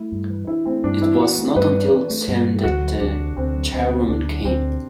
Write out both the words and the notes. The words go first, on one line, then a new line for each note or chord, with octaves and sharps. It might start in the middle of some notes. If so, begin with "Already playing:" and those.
It was not until seven that the charwoman came.
Already playing: A3 E4
G2
E3
D4 E4
A3 C4
G2 D4
E3 E4
D4 F#4
A3
G2 B4
E3
D4
A3
G2
E3
D2 F#4
F#3
D2 D4
C3
D2 C4
F#3
D2 C4
C3
D2 D4
F#3
D2 C4
C3